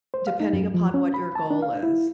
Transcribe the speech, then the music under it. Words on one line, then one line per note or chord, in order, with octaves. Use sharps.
depending upon what your goal is,
C5
F5
D#4
F#2
F3
C#4
B5
A5
D4
F5
E4